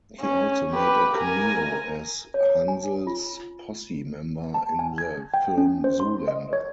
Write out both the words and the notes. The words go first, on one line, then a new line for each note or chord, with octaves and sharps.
He also made a cameo as Hansel's Posse member in the film Zoolander.
C#4
G4 B4
A#4 G#5
C#5
G#5
F4
A5
G#5
G#6
G5
C#4
C5
C6
D#5
C#5